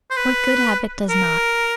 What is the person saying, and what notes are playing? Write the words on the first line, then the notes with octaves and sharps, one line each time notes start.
What good habit does not?
C5
B4
A#4